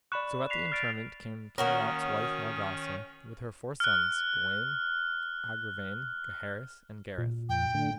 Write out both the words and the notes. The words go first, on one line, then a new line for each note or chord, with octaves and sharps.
SO at the interment came King Lot's wife Margawse with her four sons, Gawaine, Agravaine, Gaheris, and Gareth.
D5 B5 C#6 F#6 E7
B6 C7 F7
F6 A6 D7
D#3 A#3 C#4 F#4 A#4 C#5 C#6 D#6
F6 F#6
A#2
F2 G5
A2 D3